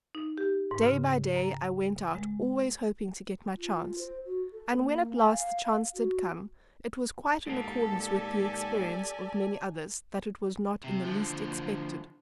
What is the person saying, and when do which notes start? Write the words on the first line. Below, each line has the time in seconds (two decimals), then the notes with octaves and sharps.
Day by day I went out always hoping to get my chance, and when at last the chance did come it was quite in accordance with the experience of many others that it was not in the least expected.
0.15 D#4
0.38 G4
0.71 G#2
0.83 C#3
1.36 A#5
2.15 G#3
3.57 F4
3.98 C5
4.26 F#4
4.52 A4
4.75 A#3
5.16 G#5
5.31 F5
5.95 F#4
7.47 G#2 A#3 G4 A4 A5
7.94 D5 G#5
10.84 C3
11.04 D3 F3